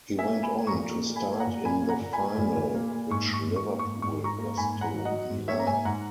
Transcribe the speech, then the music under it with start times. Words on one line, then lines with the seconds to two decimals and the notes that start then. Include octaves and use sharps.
He went on to start in the final, which Liverpool lost to Milan.
0.18 A#3 E5 G#5
0.37 A#3
0.43 G#5 B5
0.55 A#3
0.67 A#5 C#6
0.74 A#2
0.91 A#3
1.10 A#3
1.16 G#5 B5
1.28 A#3
1.40 F#5 A#5
1.47 A#2
1.65 A#2 G#5 B5
1.83 A#3
1.89 F#5 A#5
2.01 A#2
2.13 G#5 B5
2.19 A#3
2.38 A#2
2.56 A#2
2.75 A#3
2.92 A#3
3.10 G#2 C#6
3.29 G#2
3.34 C#6
3.47 G#2
3.56 C#6
3.65 A#3
3.79 G#2 C#6
4.02 G#2 C#6
4.21 G#2 A#5 C#6
4.39 A#3
4.57 G#2 G#5 B5
4.75 G#2
4.81 F#5 A#5
4.93 F#3
5.05 D#5 F#5
5.11 F#3
5.30 G#2
5.48 A#3 C#5 E5
5.59 A#5
5.66 G#2 E5 G#5
5.85 G#2 F#5 A#5